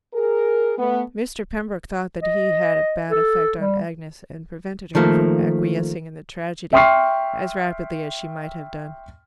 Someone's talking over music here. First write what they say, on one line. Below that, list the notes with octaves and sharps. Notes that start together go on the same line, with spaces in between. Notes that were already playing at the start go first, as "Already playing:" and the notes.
Mr. Pembroke thought that he had a bad effect on Agnes, and prevented her from acquiescing in the tragedy as rapidly as she might have done.
G#4 A#4
A3 B3
D#5
A4
G3
D#3 F3 A3 A#3
E5 G5 C6 C#6 F6 C7